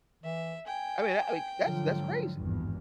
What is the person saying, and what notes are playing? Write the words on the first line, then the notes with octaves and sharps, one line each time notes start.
I mean, I like, that's that's crazy!
E3 E5
G5 G#5
G#2 D3 F3 F#3
G#1 E2 G2